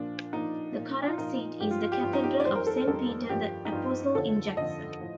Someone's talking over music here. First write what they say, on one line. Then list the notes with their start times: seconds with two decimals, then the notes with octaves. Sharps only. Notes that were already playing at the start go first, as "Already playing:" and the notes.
The current seat is the Cathedral of Saint Peter the Apostle in Jackson.
Already playing: A#2 F3 D4
0.33 A#2 F3 D#4
0.75 A#2 F3
1.08 F4
1.18 A#2 F3 D#4
1.60 G2 F3 G4
1.71 F4
1.81 F4
1.92 G4
2.03 G2 F3 F4
2.13 D#4
2.24 G4
2.40 D5
2.45 F2 D#3 G3 C5
2.55 A#4
2.66 A4
2.77 A4
2.88 F2 D#3 G3 A4
3.29 G2 F3 G4
3.65 D#4
3.72 G2 F3 F4
4.15 F2 D3 F3 A4
4.57 F2 D3 F3 D#5
5.00 A2 F3